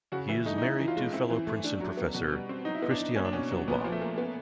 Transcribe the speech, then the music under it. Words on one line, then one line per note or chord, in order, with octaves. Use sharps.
He is married to fellow Princeton professor Christiane Fellbaum.
C#3 F#4
E3 E4
A3 D#4
D#4
C#4 E4
E3
F4
G#3
C4 E4
E3
A3
D4
F#3
B3
B2
G3
C4
F#3 D#4
E4
B3 D#4
D4
D#4
A#3 C#4
D4
B2 C#4
F#3
A#2 B3
F3
A3
A#3
B3